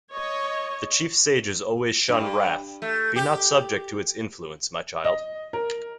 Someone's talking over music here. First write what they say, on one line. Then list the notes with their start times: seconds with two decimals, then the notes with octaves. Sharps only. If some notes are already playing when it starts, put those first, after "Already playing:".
The chief sages always shun wrath: be not subject to its influence, my child.
0.12 C#5 D#5
2.08 G2
2.82 A3
3.16 G4
5.04 D#5
5.53 A#4